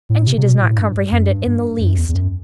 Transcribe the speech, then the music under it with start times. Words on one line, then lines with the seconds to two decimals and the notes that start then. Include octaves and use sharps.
"And she does not comprehend it in the least."
0.10 A2
0.27 C3
0.38 C3
0.44 B2
0.62 A2
0.78 G2
1.12 F#2
1.30 G2
1.47 G2
1.80 F#2
1.98 E2
2.09 E2
2.15 F#2